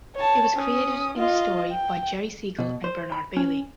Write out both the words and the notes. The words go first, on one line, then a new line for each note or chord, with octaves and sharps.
It was created in this story by Jerry Siegel and Bernard Baily.
C#5 A5
C#4 D#6
F4 D#5
G5
B2
C5
B5
C#4